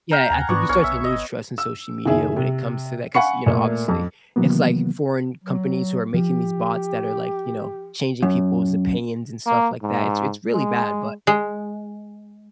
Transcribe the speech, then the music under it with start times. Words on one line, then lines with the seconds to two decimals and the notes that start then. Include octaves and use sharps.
Yeah, I think you start to lose trust in social media when it comes to that 'cause, you know, obviously, it's like foreign companies who are making these bots that are, like, you know, changing people's opinions and stuff like that, it's it's really bad, but,
0.11 F5 G5 A#5
0.30 D#2 F#5 G#5 A#5
0.49 G#2 B3 D4 C#6
0.69 B1 C#5 F5 G#5
0.84 B1 E5
1.04 G1 D#5
1.58 E6
2.06 F#1 D#3 G#4 E5
2.36 C3
3.15 F5 F#5 G#5 B5 C#6 C#7
3.46 A#2 A3 A#3
3.88 F2
4.36 C3 D#3 E3 F#3 A#3 B3
5.44 F#3
6.14 F3 G4
8.23 F#2
9.46 A#3
9.82 G#2
10.52 G#3
11.27 G#3